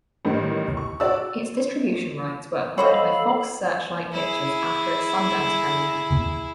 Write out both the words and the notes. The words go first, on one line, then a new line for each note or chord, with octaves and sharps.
Its distribution rights were acquired by Fox Searchlight Pictures after its Sundance premiere.
A1 D#3 G3
C#6
F#4 C#5 D5 E6
F#4 A4 C5 C#5 D#5 F5 B5
E4 G#4